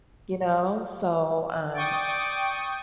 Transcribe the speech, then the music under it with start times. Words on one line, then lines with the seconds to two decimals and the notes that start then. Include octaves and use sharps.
You know? So, um
1.75 D5 G5 C#6 D#6